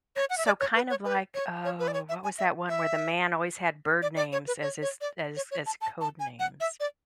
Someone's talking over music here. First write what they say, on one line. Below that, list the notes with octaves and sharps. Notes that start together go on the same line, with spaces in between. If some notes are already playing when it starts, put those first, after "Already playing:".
So, kind of like Oh what was that one where the man always had bird names as his as as code names?
C#5
F#5
E5
D5
C#5
B4
C#5
B4
C#5
C#5
B4
D5
C#5
E5
G#5
E5
E5
D5
D5
C#5
B4
C#5
C#5
D5
C#5
C#5
A5
A5
A5
G#5
F#5
E5
D5